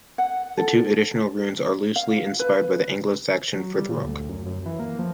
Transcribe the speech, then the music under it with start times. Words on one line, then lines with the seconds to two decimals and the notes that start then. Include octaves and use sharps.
The two additional runes are loosely inspired by the Anglo-Saxon Futhorc.
0.18 F#5
0.57 A4
1.96 F5
2.39 B4
3.55 F#3
3.74 G3
3.89 A#2
4.04 D2
4.29 F#2
4.46 F#2
4.65 E3
4.79 A#3
4.99 F3